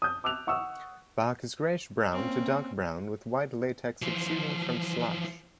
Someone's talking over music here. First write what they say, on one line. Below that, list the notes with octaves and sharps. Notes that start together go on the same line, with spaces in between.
Bark is greyish brown to dark brown with white latex exuding from slash.
D#6 G6
D6 E6 F#6 F7
F#5 C#6 D#6 E6
A#3 C4 C#4
E3 F3